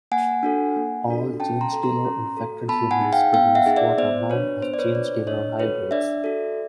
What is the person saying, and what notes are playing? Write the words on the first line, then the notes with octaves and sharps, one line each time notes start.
All genestealer-infected humans produce what are known as genestealer hybrids.
A#3 F#5 G#5
D4 F#4 A4
A#3
D4 F#4 A4
C#4 G5 A5
A#5 C6
F#4 A4
A#5 C6
C#4
F#4 A4
B3 A5 B5
F#5 G#5
D#4 G#4
F5 G5
B3 F5 G5
E5 F#5
D#4 G#4
D5 E5
B3 C5 D5
D4 F#4 B4 C#5
B3 C5
D5
B4 C#5
D4 F#4 C5 D5
D4 C#5 D#5
F#4 A4 B4 C#5
D4 D5 E5
F#4 A4